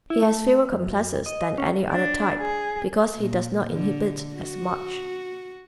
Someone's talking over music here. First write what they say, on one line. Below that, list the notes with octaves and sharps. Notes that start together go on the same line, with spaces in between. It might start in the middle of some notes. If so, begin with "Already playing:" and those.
He has fewer complexes than any other type because he does not inhibit as much.
E4
A3
F#2
D#5
C#4
D4
G#4
A#2
D3
F#4